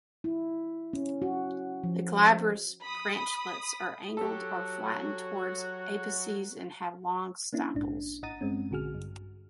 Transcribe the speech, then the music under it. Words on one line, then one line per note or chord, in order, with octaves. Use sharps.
The glabrous branchlets are angled or flattened towards apices and have long stipules.
E4
C#4
F#4
F3
B5 D#6
F#3 F#4 G4 A4
A#3 C#4 D4 E4
A#1 G#2 D4
G#1 D#5 F#5 A#5 A6 D#7
G2 G#3 C4 C#4
A#1 D3 F#4 G#4 F6
G2